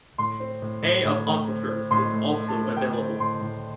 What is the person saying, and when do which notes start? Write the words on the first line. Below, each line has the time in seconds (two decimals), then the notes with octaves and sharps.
A of aquifers is also available.
0.18 A2 C6
0.40 C4
0.62 A2
0.83 A2
1.05 A2
1.26 A3
1.48 C4
1.69 C4
1.91 A2 C6
2.13 A3
2.34 A3
2.48 A5
2.55 A3
2.77 A3 G5
2.98 C4
3.19 A2 C6
3.42 A2